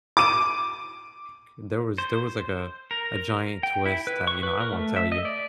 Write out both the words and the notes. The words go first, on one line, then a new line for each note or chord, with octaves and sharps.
like, there was there was, like, a a giant twist that, you know I won't tell you,
D6 D#7
C5
A#4
G5
E4
B4
C#6
B4
A#4
A3
E5
D#5
D5